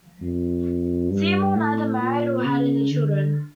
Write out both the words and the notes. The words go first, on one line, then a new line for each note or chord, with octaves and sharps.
Seymour neither married or had any children.
F2
G2
A2
A#2
C#3
D3